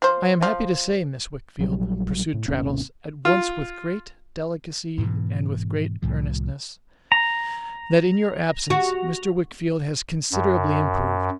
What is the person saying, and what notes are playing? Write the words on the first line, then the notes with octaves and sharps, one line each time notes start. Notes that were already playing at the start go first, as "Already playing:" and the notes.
'I am happy to say, Miss Wickfield,' pursued Traddles, at once with great delicacy and with great earnestness, 'that in your absence Mr. Wickfield has considerably improved.
F3 C5
F3
A#1 F#3 G3
A2
G#1 D#2 C3 C#4
F4
G#2 B2 E3
C2 A2 F3
A#5
F#4
F#2